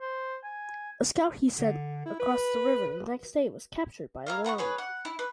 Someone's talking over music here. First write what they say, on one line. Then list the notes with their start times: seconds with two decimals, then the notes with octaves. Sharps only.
A scout he sent across the river the next day was captured by Lorimier.
0.01 C5
0.44 G#5
1.58 D3
2.06 E4
2.20 B4
4.27 E4 A#4 F5
4.44 B4 F#5 A#5 C#6
4.58 G#4 B4 C#5
4.78 F#5
5.05 E4
5.19 B4